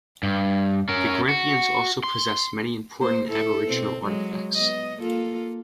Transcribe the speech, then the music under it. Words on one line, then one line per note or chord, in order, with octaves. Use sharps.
The Grampians also possess many important Aboriginal artifacts.
G2
C#4 A#4
F#4
C6
A#3 C5
E4 A4
B2 C4
F#3 G#3
B3 D#5
A#3 F4 A4